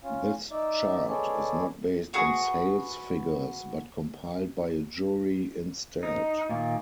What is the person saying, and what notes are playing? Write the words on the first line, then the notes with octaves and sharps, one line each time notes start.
This chart is not based on sales figures but compiled by a jury instead.
C#4 F4
D#4 D5 E5
G#3 G#4 A4 B4 C#5 D5
F#4 G#4 B4
D#4
A#2 D#3